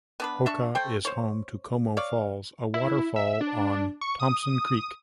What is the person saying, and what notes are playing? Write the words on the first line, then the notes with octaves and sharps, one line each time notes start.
Hokah is home to Como Falls, a waterfall on Thompson Creek.
B3 D4 B4
D4 E5 C#6
A3 C5 G5
C5 C#5
C#5 D5 F5
E4
E5
D4
C#6
D#6